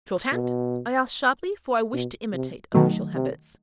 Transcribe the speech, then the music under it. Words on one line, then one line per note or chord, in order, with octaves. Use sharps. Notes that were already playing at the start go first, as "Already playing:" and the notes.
'Shorthand?' I asked, sharply, for I wished to imitate official habits.
B2
B2
C3
B2 D#3 F#3 A3
C3